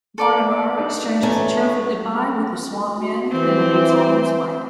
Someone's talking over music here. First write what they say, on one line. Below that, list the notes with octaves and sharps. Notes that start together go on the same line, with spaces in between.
Bardonaro exchanges a cheerful goodbye with the Swampmen, then leaves on his way.
A4 D5 D6
D4 D#4
A3 B3 C#4 A#5
F#4
E3 C4